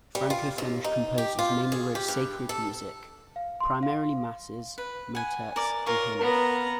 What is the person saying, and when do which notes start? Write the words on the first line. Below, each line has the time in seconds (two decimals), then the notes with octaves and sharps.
Franco-Flemish composers mainly wrote sacred music, primarily masses, motets and hymns.
0.15 G3
0.30 F4
0.58 D#2
0.84 D#4
1.18 G4
1.39 F4
1.72 G#4
1.95 G4
2.08 G2
2.49 A4
3.36 F5
3.60 C6
3.83 F5
4.78 B4
5.15 F#5 G#5
5.56 A#4 D5 D6
5.86 F4 A#4 C#5
6.21 B3 A#5